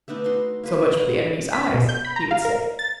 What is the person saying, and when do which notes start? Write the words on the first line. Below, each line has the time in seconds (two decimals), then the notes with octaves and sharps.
So much for the enemy's eyes, he would say.
0.08 A3 B3 D4 D#4
0.24 D#4 F#4 C6
0.63 A#3 B4 C5
1.00 F#5
1.52 B6
1.74 B2
1.89 G6
2.05 B5
2.16 A#5
2.31 F5
2.45 A#4
2.79 A6